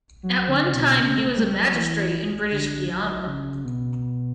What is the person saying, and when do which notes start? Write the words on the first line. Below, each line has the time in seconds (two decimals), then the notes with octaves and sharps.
At one time he was a magistrate in British Guiana.
0.23 F#3
0.49 D3
0.64 C#3
0.73 B2
0.99 C#3
1.18 A3
1.37 G3
1.56 F#3
1.74 E3
2.51 D3
2.89 F#3
3.27 C#3
3.65 B2